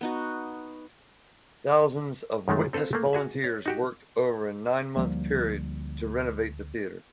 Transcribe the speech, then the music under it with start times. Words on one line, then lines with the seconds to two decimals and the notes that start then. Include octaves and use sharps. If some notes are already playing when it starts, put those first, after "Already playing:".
Thousands of Witness volunteers worked over a nine-month period to renovate the theater.
0.01 B3 D#4 F#4
2.48 F#2 D#3 G#3 A3
2.73 C4 A4 B4 C5 F5
2.93 A3 A#3
3.13 F#4 G#4 E5
3.44 C#5
3.66 D#4 F#4 G4
4.97 D2 F3 G3 A#3